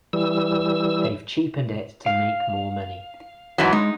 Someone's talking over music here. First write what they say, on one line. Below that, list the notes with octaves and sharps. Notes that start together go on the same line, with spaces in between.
They've cheapened it to make more money.
E3 G3 E6
F5
G#2 E3 F#3
G#3 D#4